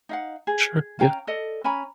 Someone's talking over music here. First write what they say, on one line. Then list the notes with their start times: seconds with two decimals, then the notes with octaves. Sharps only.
Sure, yeah.
0.09 D#4 F5 F#5
0.47 G#4
0.99 C#4 F5 G5 A#5
1.27 A4 D5 D#5
1.64 C#4 G#5 A#5 B5